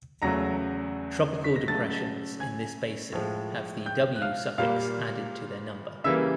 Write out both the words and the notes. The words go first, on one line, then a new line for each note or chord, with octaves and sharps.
Tropical depressions in this basin have the "W" suffix added to their number.
E2 C#3 F#3 A3 A#5 A#6
B6
A#6
C#3 F#3 A3 A5 A6
G#5 G#6
A2 F3 G#3
G5 G6
F#6
F5 F6
A#2 G3 A#3 F5 F6
C#3 E3 G3 A#3 E5 E6